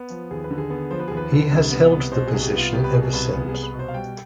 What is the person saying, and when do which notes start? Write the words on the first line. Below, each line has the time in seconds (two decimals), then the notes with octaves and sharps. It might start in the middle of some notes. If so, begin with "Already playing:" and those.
He has held the position ever since.
Already playing: B3
0.10 F3
0.31 D#2 G#4
0.44 B4
0.51 D3
0.58 G#4
0.70 B3
0.91 F3 C5
1.00 B4
1.08 G#4
1.12 D#2
1.17 B4
1.32 D3
1.51 C2
1.72 B3
1.91 C2
2.12 B2 C5
2.28 G#4
2.33 C2
2.43 G4
2.52 B3
2.58 F4
2.73 C2 G4
2.84 B4
2.93 B2 G#4
3.05 G#4
3.13 C2 B4
3.33 B3 G#4
3.49 C2 G#4
3.63 B4
3.74 B2
3.79 C5
3.88 F5
3.94 G3 G5